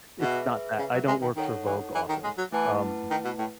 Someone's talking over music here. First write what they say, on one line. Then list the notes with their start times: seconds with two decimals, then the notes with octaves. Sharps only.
it's not that. I don't work for Vogue often. Um,
0.21 B2 G#4 B4 E5
0.79 C#3
0.94 F#3
1.07 G#3
1.22 D#3
1.36 D#3 D#4 A4 C#5 F#5
1.66 E3
1.95 E3
2.09 D#3
2.24 G#3
2.38 F#3
2.52 E3 A3 E4 B4 F#5 A5
3.10 D#3
3.25 B2
3.39 A2